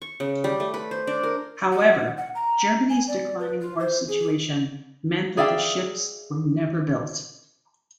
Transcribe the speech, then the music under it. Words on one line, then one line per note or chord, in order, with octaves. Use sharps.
However, Germany's declining war situation meant that the ships were never built.
C#6
C#3
G3
A3
B4
C5
D4
A#4
F#5
F#5
A#5
G#5
D5
B4
F4
C5
G#4
G#4 D5 E5 F5 G5